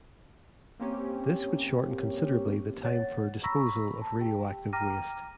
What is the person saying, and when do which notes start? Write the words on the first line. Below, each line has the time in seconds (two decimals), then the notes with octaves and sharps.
This would shorten considerably the time for disposal of radioactive waste.
0.80 A#3 C4 C#4 G4
2.83 C#5 F#5 A6
3.43 A#5 B5 C#6 E6 A#6 B6
4.02 A5
4.20 G4 G5
4.73 G5 A#5 D6 F6 A#6 D#7